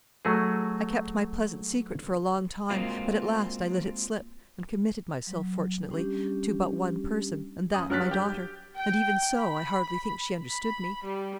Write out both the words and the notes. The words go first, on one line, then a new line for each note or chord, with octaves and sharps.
I kept my pleasant secret for a long time, but at last I let it slip, and committed myself fortunately, to but one person, and that my daughter; and, even so, I hardly think she understood me.
F#3 A3 F#4 G#4
G#3 A#3 C4 F4 F#4
F#3
G3 C#4 D4 G4
F#2 D#6
G2 F#3 F6 F#6 A6 B6
G4 G6
G5
B5
B5
G3